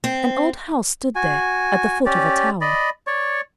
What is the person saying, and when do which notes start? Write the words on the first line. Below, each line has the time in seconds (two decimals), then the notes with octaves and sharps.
An old house stood there, at the foot of a tower.
0.04 C4
1.15 F#4 G#5
2.06 C#4 G4 D5
2.61 D5 D#5 B5
3.07 C#5 D5 C#6